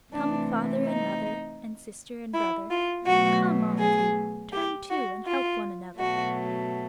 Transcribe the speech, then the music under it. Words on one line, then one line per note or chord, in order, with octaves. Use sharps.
"Come, father and mother, And sister and brother, Come, all of you, turn to And help one another."
C3 E3 A3 D4
D#4
E4
F4
B2 F#3 A3 F#4
G#4
G4
F#4
F4
B2 F#3 A3 F#4